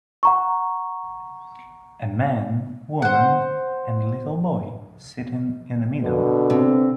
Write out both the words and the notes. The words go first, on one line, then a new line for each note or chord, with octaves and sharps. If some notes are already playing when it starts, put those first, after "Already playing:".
A man woman and little boy sitting in a meadow.
F#5 A#5 C#6
C5 F#5
B2 D3
C3 C4